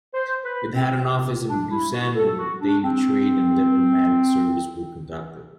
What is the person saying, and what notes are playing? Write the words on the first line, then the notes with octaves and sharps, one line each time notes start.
It had an office in Busan where daily trade and diplomatic service were conducted.
C5
B4
C4
D4
E4
F#4
A4
F#4
D4
C4